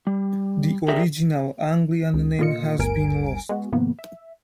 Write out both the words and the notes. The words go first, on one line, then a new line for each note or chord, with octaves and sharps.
The original Anglian name has been lost.
G3
G4 G#4 A#4 D5 E5 G5
C#2
A#2 D3 F4 D#5 C#7
G1 D2 G2 A#4 G#5 D7
G#3 B3 F#4
G#2 C3 D#3 F3 A#3 B3
E5